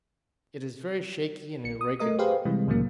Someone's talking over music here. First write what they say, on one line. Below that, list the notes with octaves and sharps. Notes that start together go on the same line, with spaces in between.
It is very shaky and irregular.
A#1 C#7
D#6
A3 A#4 D#5 D#6
G4 G#4 B4 C5 F5
C3 E3 G3 G#3
C2 A2 C#3 E3 F#3 A#3